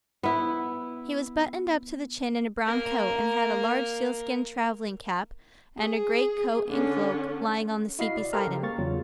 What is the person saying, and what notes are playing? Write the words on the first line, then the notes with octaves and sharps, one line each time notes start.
He was buttoned up to the chin in a brown coat; and had a large sealskin travelling-cap, and a greatcoat and cloak, lying on the seat beside him.
B3 E4
A#3 A#4
G#4
D3 C#4
E4 F#4 D#5 F5 B5 C7
D5
G4 A4 A#4 C5 A#5 F6
C#3
A#3 C#6 A6
E2 C#3 F#3 F4